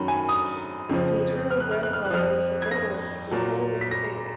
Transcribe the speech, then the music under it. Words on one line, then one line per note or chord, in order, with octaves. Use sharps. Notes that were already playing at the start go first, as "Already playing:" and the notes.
His maternal grandfather was a journalist of the "Pearl River Daily".
Already playing: F#2 D#3 F#3 B5
G#5
D#6
F2 C#3 F3
F6
F#6
F6
F#6
F6
F#6
F2 F3 F6
G#6
A#6
A#2 F#3
B6
A#6